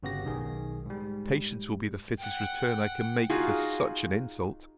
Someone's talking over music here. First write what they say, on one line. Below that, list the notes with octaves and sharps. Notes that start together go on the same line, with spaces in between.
Patience will be the fittest return I can make to such an insult.
G1 C#3 B3 F#4 G4 A#6
B1 D#3 G#4
G#2 G3
F#5 G5
D#4 F4 F#4 G#4